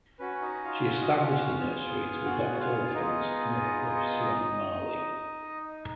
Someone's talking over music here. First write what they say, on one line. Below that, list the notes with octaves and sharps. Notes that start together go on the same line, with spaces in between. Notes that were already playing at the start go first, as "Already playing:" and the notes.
She established the nursery to adopt orphans north of Suan Mali.
C#4 F#4 B4
D#4 D#5
F4 F5
F5
D#5
F4 F5
B3 F4 G#4
F#4 F#5
F#5
F4 F5
B3 D#4 F4 G#4 D#5